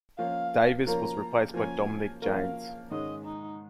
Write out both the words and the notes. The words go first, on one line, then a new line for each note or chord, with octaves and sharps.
Davis was replaced by Dominic Janes.
F3 A#3 C#4 A#4 F5
F3 A#3 C#4 A#4 A#5
F3 A#3 C#4 A#4 G#5
F3 A#3 C#4 A#4 F5
G#2 D#3 G#3 C#4 D#5
D#4